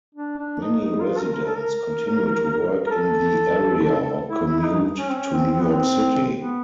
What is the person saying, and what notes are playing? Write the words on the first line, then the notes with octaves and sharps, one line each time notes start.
Many residents continue to work in the area or commute to New York City.
D4
D4
D#4
D#4
F4
A#4
A#4
A4
A#4
A#4
A4
E4
E4
E4
D#4
C#4
C4
C#4
C4
C4
B3
C4
B3